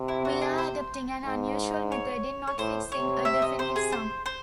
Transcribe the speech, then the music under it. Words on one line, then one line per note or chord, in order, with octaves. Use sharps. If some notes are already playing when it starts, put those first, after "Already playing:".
We are adopting an unusual method in not fixing a definite sum.
Already playing: C3
E4
F#4
G#4
C5
G#2
C#5
C#5
A2 C5
C3 C#5
E5
D#5
C5
G#4
C5
C5